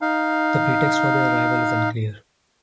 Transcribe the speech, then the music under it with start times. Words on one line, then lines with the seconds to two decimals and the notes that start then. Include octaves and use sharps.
The pretext for their arrival is unclear.
0.01 D#4 F5